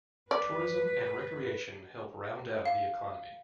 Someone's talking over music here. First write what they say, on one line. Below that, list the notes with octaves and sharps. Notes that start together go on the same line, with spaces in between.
Tourism and recreation help round out the economy.
B4 D5
F5